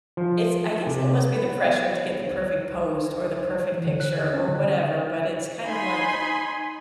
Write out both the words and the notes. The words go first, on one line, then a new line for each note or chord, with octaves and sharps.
it's I guess it must be the pressure to get the perfect post or the perfect picture or whatever, but, it's kind of, like,
F3
C3
B3
E3
D3
F#6
D#5
C#4
D3
D#4 G#5 B5 C6